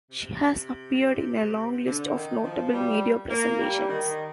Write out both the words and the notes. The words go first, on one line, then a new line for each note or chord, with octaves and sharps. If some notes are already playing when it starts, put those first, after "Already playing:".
She has appeared in a long list of notable media presentations.
C3
D3
D#3
F3
G3
A#3
G3
D#3